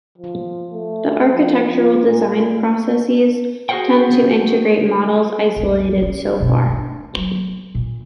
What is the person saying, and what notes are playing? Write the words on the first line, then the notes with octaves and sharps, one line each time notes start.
The architectural design processes tend to integrate models isolated so far.
F3
A3
F3
F4
A#2
F#4 G#4 A#4 C5 F#5 G5
A#1 E2
C#4
G2 B2
A3 D4
F#3
A#2